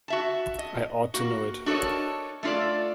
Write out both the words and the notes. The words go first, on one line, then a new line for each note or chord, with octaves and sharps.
I ought to know it.
F#4 E5 A5
D#5
A#3 F#4
D4 F#4 A4 A#4 C#5 D#5
A3 D4 F4 A4 D5